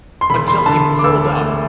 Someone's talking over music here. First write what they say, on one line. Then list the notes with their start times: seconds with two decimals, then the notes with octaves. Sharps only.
until he pulled up?
0.21 C6
0.30 E1 B5
0.48 C6
0.58 B5
0.66 D3 A5
0.99 D6
1.04 D2 E6
1.41 A3